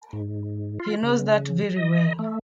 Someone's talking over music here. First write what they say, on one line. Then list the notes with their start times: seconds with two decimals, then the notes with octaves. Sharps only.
He knows that very well.
0.13 G#2
0.80 F4
1.03 C#3
1.76 D#5
2.19 A3